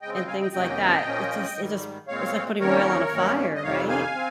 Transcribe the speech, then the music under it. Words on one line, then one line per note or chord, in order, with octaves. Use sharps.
and things like that, it just it just it's like putting oil on a fire, right?
C#3 G#3 C4 D#5 G5
D#5 G5
F5 G#5
D#5 G5
F2 C3 D#3 A#3 C#4 D#5 G5
A#2 F3 A#3 C#4
G#2 D#3 G3
A#2 G#3 C4 C#5 F5
F2 D#3 G3 A#3 C#4 A#4 C#5
G2 D#3 A#3 C#4
D#5
F2 C3 D#3 G3 C#5 F5
F5 G#5
C4